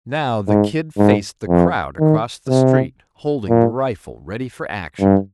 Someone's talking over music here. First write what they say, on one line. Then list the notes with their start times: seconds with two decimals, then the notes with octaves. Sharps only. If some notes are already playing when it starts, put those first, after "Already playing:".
Now the "Kid" faced the crowd across the street, holding the rifle ready for action.
0.48 G#2
0.98 G#2
1.49 F2
1.99 D#3
2.49 C3
3.49 A#2
5.00 G2